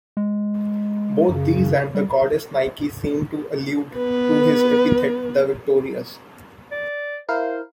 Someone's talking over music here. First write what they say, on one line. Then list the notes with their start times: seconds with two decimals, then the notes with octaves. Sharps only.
Both these and the goddess Nike seem to allude to his epithet "the Victorious".
0.17 G#3
1.29 F#2 C#3
1.95 G3
3.96 B3 B4
6.72 D5
7.29 E4 A#4 C5 F5